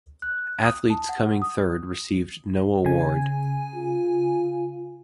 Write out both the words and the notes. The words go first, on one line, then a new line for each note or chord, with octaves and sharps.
Athletes coming third received no award.
F#6
D#6
A5
F#5
D#6
C#3 G#5
F4